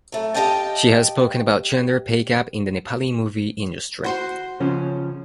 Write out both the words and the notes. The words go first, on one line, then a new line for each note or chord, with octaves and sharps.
She has spoken about gender pay gap in the Nepali movie industry.
F#3 A3
G4 G#4 D#5 F5 G5 A5
F#4 C5 C6
C#3 F3 C#4